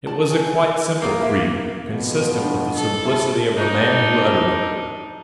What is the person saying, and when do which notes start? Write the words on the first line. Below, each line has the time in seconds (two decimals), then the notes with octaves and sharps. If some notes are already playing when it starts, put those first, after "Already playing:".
It was a quite simple creed, consistent with the simplicity of the man who uttered it.
0.07 D5 A5
0.30 G#5
1.02 A#3 D#4 F4 A#4
1.22 E5
1.86 F2 G#2 B2
2.41 D4
2.75 A4
3.04 E4 F#4 G#4
3.57 D4 D#4